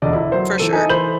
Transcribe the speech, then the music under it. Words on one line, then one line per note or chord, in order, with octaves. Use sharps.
For sure.
E1 D2 D5 D#5
E4
F#3 C5
E3 A4 D#7
D#4 E4 A4 G#5
E3 C5 B5 G6 F#7